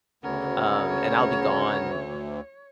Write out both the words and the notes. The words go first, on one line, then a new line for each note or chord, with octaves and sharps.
Um, and I'll be gone
D2 C#3 B3 A#4 C#5